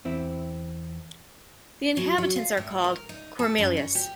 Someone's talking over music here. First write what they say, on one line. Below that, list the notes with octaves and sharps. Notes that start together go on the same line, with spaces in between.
The inhabitants are called "Cormeillais".
E2 C4 E4
F#3
F#3
F4
A2
A#4
D#4
A4
F#2
C#5
G4